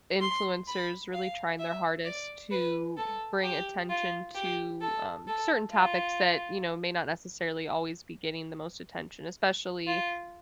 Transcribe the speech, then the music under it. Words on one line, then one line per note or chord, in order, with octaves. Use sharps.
influencers really trying their hardest to bring attention to, um, certain topics that, you know, may not necessarily always be getting the most attention, especially,
C6
B5
F5
E5
D5
B4
A4
G4
F4
G4
A4
A4
F4
F4